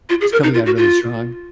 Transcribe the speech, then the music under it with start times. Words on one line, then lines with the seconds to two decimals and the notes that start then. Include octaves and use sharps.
It's coming on really strong?
0.10 F4
0.21 G#4
0.32 A#4
0.43 D#4
0.54 F4
0.66 F#4
0.77 F4